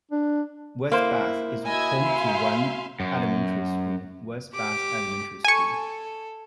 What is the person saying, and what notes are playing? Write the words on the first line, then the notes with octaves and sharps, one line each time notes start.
West Bath is home to one elementary school, West Bath Elementary School.
D4
A#3 E4 C5
E4 F#4 D#5 G#5 E6 G#6
E5 F5 C6
F#2
G4 D6
A4 G#5 C#6